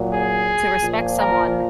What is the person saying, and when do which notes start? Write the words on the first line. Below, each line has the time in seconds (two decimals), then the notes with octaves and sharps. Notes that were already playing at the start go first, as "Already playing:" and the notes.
to respect someone
Already playing: A#2 F#3
0.11 G#4
0.82 A#2 F3
1.17 A#4